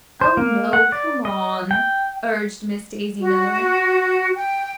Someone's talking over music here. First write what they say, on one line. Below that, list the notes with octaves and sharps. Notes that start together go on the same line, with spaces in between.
"Oh, no; come on!" urged Miss Daisy Miller.
C5
A#3
F#5
D5
D#5
G5
F#4
G5